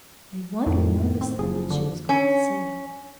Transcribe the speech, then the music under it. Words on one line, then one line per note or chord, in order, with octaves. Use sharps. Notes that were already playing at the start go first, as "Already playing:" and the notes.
They wondered nervously what she was going to say.
F2 A2 D#3
C4
F#1 F3 G#4
D3
C#4 C#5